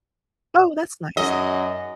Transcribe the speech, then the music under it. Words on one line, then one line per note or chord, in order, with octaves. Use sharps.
Oh, that's nice.
F#2 D#5